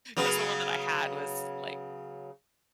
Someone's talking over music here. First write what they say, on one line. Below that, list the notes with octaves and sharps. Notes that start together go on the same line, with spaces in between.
'cause the one that I had was, like,
C#3 F#3 B3